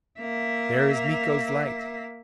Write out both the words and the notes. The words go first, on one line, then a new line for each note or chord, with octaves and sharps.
"There is Miko's light!"
A#3 E5